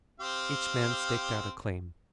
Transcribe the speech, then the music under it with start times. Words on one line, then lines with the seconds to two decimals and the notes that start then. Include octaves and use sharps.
Each man staked out a claim.
0.20 C4 G4 F5